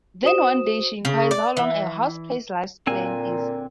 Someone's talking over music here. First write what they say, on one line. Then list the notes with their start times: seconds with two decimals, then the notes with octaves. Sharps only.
Then one day she inquires how long a housefly's life span is.
0.24 F#4 C5 D#6 E7
1.05 C#3
1.31 D5
1.57 E3
2.87 A#2 D3 C4 G#5